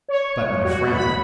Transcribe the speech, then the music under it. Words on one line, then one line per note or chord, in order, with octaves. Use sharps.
But my friend!
C#5
F#4
B5